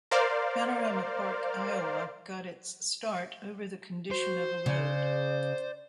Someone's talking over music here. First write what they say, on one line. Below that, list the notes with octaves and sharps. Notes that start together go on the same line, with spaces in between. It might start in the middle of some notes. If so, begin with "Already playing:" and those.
Panorama Park, Iowa, got its start over the condition of a road.
A#4 C5 D5 F5
F#4 C5
C#3 D5